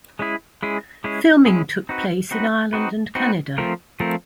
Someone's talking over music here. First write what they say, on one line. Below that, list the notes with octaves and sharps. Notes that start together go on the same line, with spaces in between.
Filming took place in Ireland and Canada.
G#3 C#4 E4 G#4
G#3 C#4 E4 G#4
G#3 C#4 E4 G#4
G#3 C#4 E4 G#4
C4 D#4 F#4 B4
C4 D#4 F#4 B4
C4 D#4 F#4 B4
C4 D#4 F#4 B4
F3 A3 C4 F4 A#4
F3 A3 C4 F4 A#4